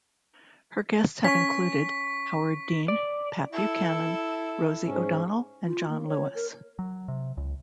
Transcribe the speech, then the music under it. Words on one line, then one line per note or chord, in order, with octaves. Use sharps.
Her guests have included Howard Dean, Pat Buchanan, Rosie O'Donnell and John Lewis.
C#4 C#6 B6
D5
E4 A4
G#2 C#4
F4
A#3
C#5
A#4
F#3
C3
C#2